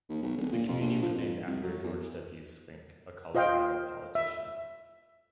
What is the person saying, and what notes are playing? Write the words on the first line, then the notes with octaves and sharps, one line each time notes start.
The community was named after George W. Swink, a Colorado politician.
D#2
B1
D1
A#2
F2
A#1
F3
F2
C2
F#3
E2
F4 C5 D#5 F5 G5
E5